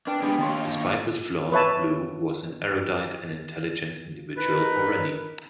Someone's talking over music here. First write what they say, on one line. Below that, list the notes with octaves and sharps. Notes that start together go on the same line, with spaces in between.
Despite this flaw, Lou was an erudite and intelligent individual already.
D4 B4 G5
G#3 B3 D4 G4 G5
D#3 A#3 F#4 C#5 G5
B4 C#5 E5 A5
D#4 A#4 B4